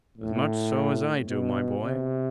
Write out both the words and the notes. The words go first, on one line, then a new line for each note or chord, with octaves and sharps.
"As much so as I do, my boy!"
A2
B2
C3